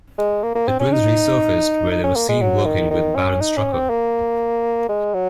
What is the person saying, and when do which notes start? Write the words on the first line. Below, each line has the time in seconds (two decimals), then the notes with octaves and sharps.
The twins resurfaced, where they were seen working with Baron Strucker.
0.18 G#3
0.43 A#3
0.55 A#3
0.68 C4
0.80 C#4
0.92 D#4
1.91 D#4
2.04 C#4
2.16 A#3
2.29 G#3
2.41 F#3
2.66 D#3
2.91 D#3
3.15 C#4
3.40 D#4
3.57 C#4
3.73 C4
3.90 A#3
4.89 G#3
5.14 F#3